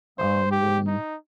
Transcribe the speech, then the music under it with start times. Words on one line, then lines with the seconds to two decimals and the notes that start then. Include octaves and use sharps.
um, when
0.19 C5
0.51 G4
0.87 D#4